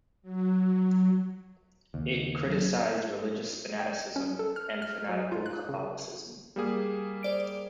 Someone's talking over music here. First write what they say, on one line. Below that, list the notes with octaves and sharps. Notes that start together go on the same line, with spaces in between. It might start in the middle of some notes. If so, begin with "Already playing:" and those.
It criticized religious fanaticism and fanatical catholicism.
F#3
D#2 C#3
F#3
G5
C#7
C#4
A4
F6
F6
F#3
F4
F#6
C#3
G3 A#3 G#4
C5 D5 D7